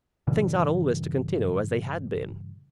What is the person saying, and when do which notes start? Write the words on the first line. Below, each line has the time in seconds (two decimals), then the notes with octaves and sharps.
Things ought always to continue as they had been.
0.27 G2 A#2 C#3 E3